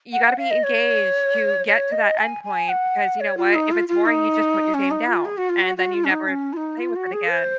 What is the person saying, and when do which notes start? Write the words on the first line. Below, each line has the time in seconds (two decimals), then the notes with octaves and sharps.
you gotta be engaged to get to that end point, because you know what? If it's boring, you just put your game down, and then you never play with it again.
0.12 F#5
0.25 F#5
0.38 F5
0.51 D#5
0.63 C#5
1.66 C#5
1.92 D#5
2.18 G#5
2.43 G#5
2.69 F#5
3.20 C#5
3.37 F4
3.55 D#4
3.71 F4
3.88 F4
4.05 D#4
4.74 C#4
4.90 D#4
5.08 F4
5.25 G#4
5.37 F#4
5.49 F4
5.62 F#4
5.77 F#4
5.93 F4
6.04 C#4
6.10 D#4
6.28 C#4
6.53 F4
6.56 D#4
6.79 F4
6.96 F#4
7.13 G#4
7.30 C5